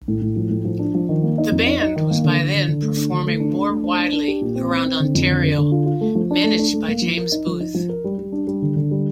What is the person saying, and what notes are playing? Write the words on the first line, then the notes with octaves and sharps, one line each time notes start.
The band was by then performing more widely around Ontario, managed by James Booth.
A2
A2
F3
A2
F3
D4
F3
D#3
A#3
D#4
F2
D#4
D#4
D#3
A#3
D3
D3
D3
D3
A3
D4
D3
A3
D4
D4
A3
D4
D4
D4
G4
A#2
C4
C4
C4
D3
F2
D3
D3
D3
F4
F4
A3
F3
D4
A3
D4
A3
A#3
F3
A#4
D#4
F3
D#4
F3
A#4
G3
G3
D4
G3
D3
D3
G3